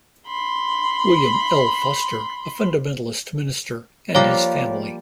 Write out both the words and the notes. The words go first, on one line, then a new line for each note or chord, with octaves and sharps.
William L. Foster, a fundamentalist minister, and his family.
B5 C6
F3 G3 A#3 C#5 F5 D6